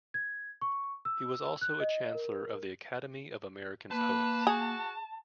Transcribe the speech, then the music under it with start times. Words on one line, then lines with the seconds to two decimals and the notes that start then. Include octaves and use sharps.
He was also a Chancellor of the Academy of American Poets.
0.14 G#6
0.61 C#6
1.05 E6
1.61 F#6
1.80 D#5
2.15 A#4
3.91 A#3 B4 A5
4.47 F#4 G#4